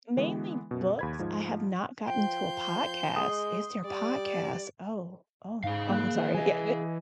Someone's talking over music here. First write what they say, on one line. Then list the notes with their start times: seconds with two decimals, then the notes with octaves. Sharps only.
Mainly books, I have not gotten to a podcast. Is there a podcast? Oh, oh oh, I'm sorry. Yeah, th
0.16 D3 E3 G#3 B3
0.71 F#2 B2
0.99 D#2 B5 G#6
1.19 G#2 F3
2.08 F3 G5 C6 G6
3.16 G#3 D#6
3.85 G3 D5
5.64 G#2 G#4 F5
5.89 A#3 F#6
6.15 F3
6.35 E3 D#5 G#5